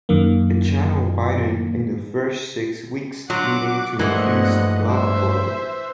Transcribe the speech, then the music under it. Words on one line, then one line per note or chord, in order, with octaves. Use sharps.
The channel widened in the first six weeks leading to increased lava flow.
F#2 D#3 A#3
F#3 D4 F4 F#5 D6
G2 E3 F3 A3 A#3 D#5 F#5
C5 E5